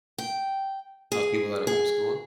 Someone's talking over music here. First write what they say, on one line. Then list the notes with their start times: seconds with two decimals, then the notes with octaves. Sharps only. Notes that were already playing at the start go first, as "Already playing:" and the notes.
Of people that are homeschooling?
0.18 G5
1.12 G#4
1.67 G#4